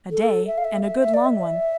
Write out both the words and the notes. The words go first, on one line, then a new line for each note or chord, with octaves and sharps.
"A day, and a good long one."
A4
E5
F5
E5
E5
E5
D5
E5